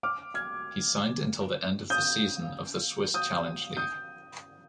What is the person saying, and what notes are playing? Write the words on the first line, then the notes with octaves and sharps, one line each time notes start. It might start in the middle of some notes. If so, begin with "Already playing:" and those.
He signed until the end of the season of the Swiss Challenge League.
D6 F6
F6 G#6
D#6 G6
D#6 G6
D#6 G6